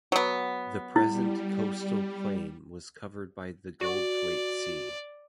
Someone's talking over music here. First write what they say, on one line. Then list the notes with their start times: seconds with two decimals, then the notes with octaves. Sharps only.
The present coastal plain was covered by the Goldthwait Sea.
0.12 F#3 B3
0.96 G3 E4
3.81 F#4 D5